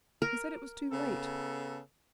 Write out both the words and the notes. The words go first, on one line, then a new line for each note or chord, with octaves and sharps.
He said it was too late.
A#4
C#3 B3 A4